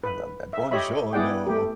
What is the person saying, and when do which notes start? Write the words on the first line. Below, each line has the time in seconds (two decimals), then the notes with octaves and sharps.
I love that. Buongiorno.
0.04 B4
0.53 E5
0.71 G4 C#5 D#5 E5 B5
1.13 B3 E4 G#4 D5 F#5 G5
1.47 A3 G4